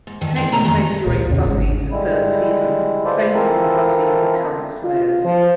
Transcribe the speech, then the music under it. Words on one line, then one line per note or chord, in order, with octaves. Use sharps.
Taking place during "Buffy"'s third season, Faith and Buffy are the current Slayers.
G#2
D2 G2 D#3 A4 D#5
B3 C4 D4 E4 G#4
B2 D3 C#4 F4 A4 A#5
F2 A#2 D3 D#3
C#2 A#2 C#3
E2 C#3
G#1 G#2 C#4
D3 G3 G#3 E4
F4 A4 B4 C5 D5 E5
E3 C4 E4 F4 A4 A#4
F4
F3